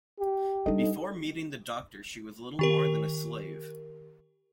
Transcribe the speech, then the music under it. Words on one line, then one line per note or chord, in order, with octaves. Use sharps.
Before meeting the Doctor she was little more than a slave.
G4
G3 D4 D#4 A4 D#5
D#3 G4 A#4